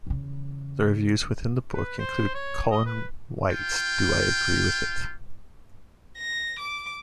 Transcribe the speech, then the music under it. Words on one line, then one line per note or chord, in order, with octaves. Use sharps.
The reviews within the book include Colin Wight's Do I agree with it?
E2 C#3
B4
C5
C#5
D#5
B4
F4 G5
A#6
D6